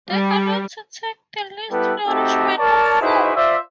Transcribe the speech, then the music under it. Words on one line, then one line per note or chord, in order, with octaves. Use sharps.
They are not to take the least nourishment of food.
G3
G3 B3 E4 G4 A4 B4
A3 C4 D#4 F#4 G4 A4
A#4 C#5 D5 A5
D#4 E4 F#4 G#4 B4 C5
F4 C5 D5 E5